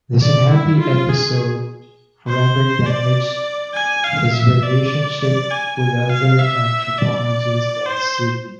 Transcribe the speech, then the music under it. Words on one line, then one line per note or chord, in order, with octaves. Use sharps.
This unhappy episode forever damaged his relationship with other anthropologists at Sydney.
D5
E4
F4
G#4
C5
D5
G#5
F5
E5
D5
D5
G#5
G#5
F5
E5
D5
C5